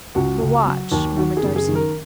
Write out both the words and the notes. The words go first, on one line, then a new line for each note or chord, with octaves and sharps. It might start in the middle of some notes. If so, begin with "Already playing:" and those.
"The watch," murmured Darcy.
C#2 F#4
C#3
F#3
D#2
D#3 F#4
G#4
F#1
G#4
D#3
A#4